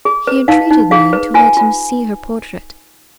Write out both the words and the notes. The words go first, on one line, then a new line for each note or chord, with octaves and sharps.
He entreated me to let him see her portrait.
G#4
B4
D#4 F5
D#4
G#4 F5
B4
F4 G#5
F4